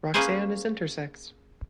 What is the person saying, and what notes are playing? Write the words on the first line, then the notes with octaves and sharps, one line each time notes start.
Roxanne is intersex.
A#3 C#4 G#4 B4 C5 G#5